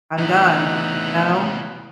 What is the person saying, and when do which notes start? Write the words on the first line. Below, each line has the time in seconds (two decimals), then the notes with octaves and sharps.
"I'm done." You know?
0.18 E2 A2 C3 E3 B3 D#4